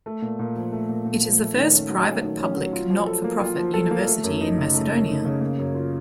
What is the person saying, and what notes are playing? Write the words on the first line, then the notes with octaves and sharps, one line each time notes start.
It is the first private-public not for profit university in Macedonia.
A3
A#2
A#2
F3
A3
A#2
A#2
F3
A3
D#3
C#4
F#3
A3
D#3
C#4
F#3
F4
F3
A4
A#3
F4
F3
A4
A#3
A3
F#2
D#4
C#3
A3
F#2
D#4
C#3
A#3
F#2
F4